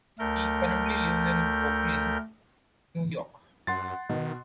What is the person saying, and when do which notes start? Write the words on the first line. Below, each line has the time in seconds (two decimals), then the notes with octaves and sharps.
He currently lives in Brooklyn, New York.
0.19 D2 A3 A#4 G6
3.67 F#2 F#5 C6 A6
4.09 B2 D#3